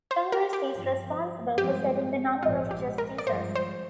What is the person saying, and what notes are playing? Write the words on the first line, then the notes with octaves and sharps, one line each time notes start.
Congress is responsible for setting the number of justices.
C5
A#4
G4
G2 F3 C4
G2 F3 G#3 C4 G4
A#1 G#2 F3 G#3 C4 F4
G4
A#4
D5
G#1 G2 F3 G#3 C5
C5